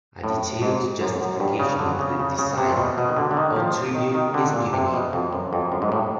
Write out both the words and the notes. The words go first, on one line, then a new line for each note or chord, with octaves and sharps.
A detailed justification of the design of Trivium is given in.
A2
G#2
F#2
F#2
G2
C#3
D3
C#3
C#3
C#3
C3
A#2
B2
B2
D#3
D3
D3
D#3
F3
D#3
D#3
D3
A#2
C3
B2
F2
F#2
F2
F#2
G#2
A2